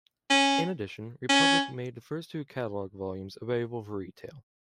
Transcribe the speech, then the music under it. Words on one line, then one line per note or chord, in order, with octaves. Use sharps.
In addition, Republic made the first two catalogue volumes available for retail.
C#4
C#4